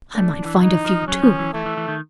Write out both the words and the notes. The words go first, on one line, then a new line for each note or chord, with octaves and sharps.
"I might find a few, too."
A3 D4
E3
E3 D#4
F3
F#3 C#4
F3
E3
E3 A3
E3
E3
D#3